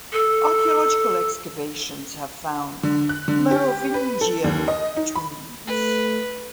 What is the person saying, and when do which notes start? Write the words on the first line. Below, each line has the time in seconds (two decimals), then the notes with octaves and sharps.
Archaeological excavations have found Merovingian tombs.
0.13 A4
2.83 D3
3.09 F#6
3.28 D3
3.51 G4
3.94 B4
4.21 A4
4.44 D#2
4.68 D#5
4.97 D#4
5.15 B5
5.67 A3 B4